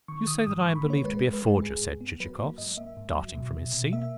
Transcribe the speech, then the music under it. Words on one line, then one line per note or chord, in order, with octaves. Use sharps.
"You say that I am believed to be a forger?" said Chichikov, starting from his seat.
D#3 C#6
D#3 D#6
G#2 D#6
C#6
D#3
B5
A#3
C#5
G#3 B4
G#3
B4
G#3
G#2 G#4
G#2
B3
F#3 B4
A#3
G#2 D#5
A#3 E5
G#2
F#3
B2
B2
B2
A#3 E5